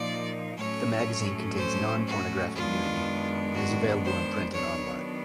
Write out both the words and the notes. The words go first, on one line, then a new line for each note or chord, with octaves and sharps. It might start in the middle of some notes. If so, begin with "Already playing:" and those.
The magazine contains non-pornographic nudity, and is available in print and on-line.
Already playing: A#2 F3 A#3 D#4 D5
A2 F#3 A3 C#4 C#5
C5
F#4
F#2 D#3 G#3 B3 D4 F4
F#4
C5
D#3 F#3 B3 D4 C#5